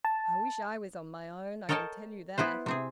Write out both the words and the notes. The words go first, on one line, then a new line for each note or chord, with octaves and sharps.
"I wish I was on my own, I can tell you that."
A5
A4 A#4 C#5 D#5 G5 A5
B3 E4 B4 C5
C3 C4 G#4